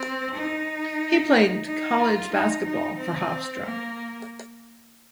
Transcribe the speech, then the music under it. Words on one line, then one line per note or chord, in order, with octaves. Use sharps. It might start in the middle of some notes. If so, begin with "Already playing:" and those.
He played college basketball for Hofstra.
Already playing: C4
D#4
D#4
F4
D#4
D#4
C4
A#3